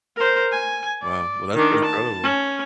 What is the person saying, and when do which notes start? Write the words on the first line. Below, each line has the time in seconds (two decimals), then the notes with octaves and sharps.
Wow. Well, that's incredible.
0.16 A#4 C5
0.52 G#5
1.02 D5
1.54 D#3 D4
1.85 A5
2.23 C#4